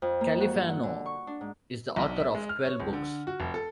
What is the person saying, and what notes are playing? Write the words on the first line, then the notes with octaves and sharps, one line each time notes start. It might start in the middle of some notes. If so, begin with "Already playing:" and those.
Califano is the author of twelve books.
F2
A#3
F#4
G2
F#5
D3
C#6
D4
G#2
B1
E5
G#3
F6
C#5
C#2
D3
F#4
F1
A4